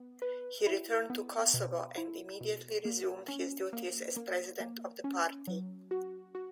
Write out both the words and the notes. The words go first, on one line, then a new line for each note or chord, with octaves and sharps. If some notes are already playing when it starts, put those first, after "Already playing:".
He returned to Kosovo and immediately resumed his duties as president of the party.
Already playing: B3
B4
E4
B3
B2
E4
B2
A#3
C#4
A#3
A#3
A#3
C#4
F#3
F#4
F#4